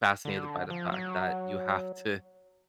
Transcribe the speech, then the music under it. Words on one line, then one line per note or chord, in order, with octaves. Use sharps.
fascinated by the fact that you have to
D3
F3
F#3